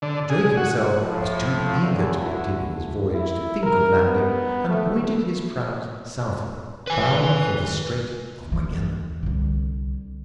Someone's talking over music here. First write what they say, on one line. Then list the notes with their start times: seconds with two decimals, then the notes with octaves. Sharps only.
Drake himself was too eager to continue his voyage to think of landing, and pointed his prows southward, bound for the Strait of Magellan.
0.02 D3
0.30 G#4
0.57 F#4
0.99 A2 F3
1.80 E2
2.20 D3 E3 E4 F#4
3.13 E4
3.63 A#4
4.05 B3
4.69 A3
6.87 B4 G#5
8.50 D#2 E3
9.23 C2 D3